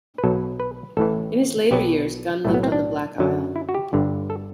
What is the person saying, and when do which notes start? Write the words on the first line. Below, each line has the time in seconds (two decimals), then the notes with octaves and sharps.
In his later years Gunn lived on the Black Isle.
0.18 B4
0.24 B1 B2 F#3 A4
0.60 B4
0.97 A1 A2 E3 A4
1.71 B1 B2 F#3 G4
2.45 B1 A2 F#3 A3
2.54 B3
2.63 C4
2.72 D4
3.18 F#2 D3 F#3
3.56 E4
3.69 F#4
3.74 G4
3.93 G1 G2 D3
4.30 A4